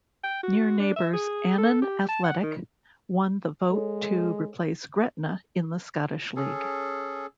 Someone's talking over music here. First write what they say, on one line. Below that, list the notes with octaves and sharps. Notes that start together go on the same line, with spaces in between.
Near neighbours Annan Athletic won the vote to replace Gretna in the Scottish league.
G5
F#4
D4
E5
G#4
A4
G4
A5
F#5
D#3
G#3 A4 C#5
C#4 G#4 A4